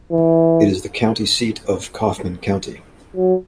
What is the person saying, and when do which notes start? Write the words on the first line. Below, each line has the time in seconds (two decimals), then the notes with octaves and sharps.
It is the county seat of Kaufman County.
0.12 E3
3.16 F#3